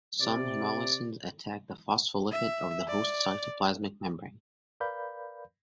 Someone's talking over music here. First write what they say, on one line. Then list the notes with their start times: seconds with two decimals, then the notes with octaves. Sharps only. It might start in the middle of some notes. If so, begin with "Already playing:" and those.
Some hemolysins attack the phospholipid of the host cytoplasmic membrane.
0.21 C3 D5
2.32 E5
2.88 D5
4.80 A#4 B4 D5 F5 B5 G6